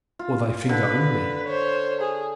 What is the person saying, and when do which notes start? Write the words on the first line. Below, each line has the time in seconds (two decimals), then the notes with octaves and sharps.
Or thy finger only!
0.19 F4
0.69 D3 B4
1.46 C5 C#5
2.00 G#4